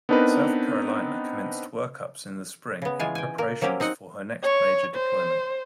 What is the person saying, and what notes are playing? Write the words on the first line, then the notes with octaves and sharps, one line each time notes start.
"South Carolina" commenced workups in the spring in preparations for her next major deployment.
B3 C4 D4 D#4 A#4 B4
C#3 B3
E3 G#3 F4 G#5
G5 G#5
A#3 A#4
F#3 A#3 C4 C#4 G4
C4 D#4 D#5 F#5
C#5
C5